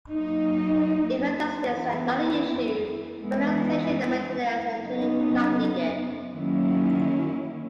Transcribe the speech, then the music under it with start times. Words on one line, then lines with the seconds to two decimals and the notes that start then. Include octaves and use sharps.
If aesthetics are not an issue, fertilization and maintenance are generally not needed.
0.12 F#3 A#3 D#4
1.68 E3 B3 E4
3.22 E3 G#3 B3 E4
4.79 C#3 F#3 B3 D#4
6.33 D#3 F#3 A#3 C#4 E4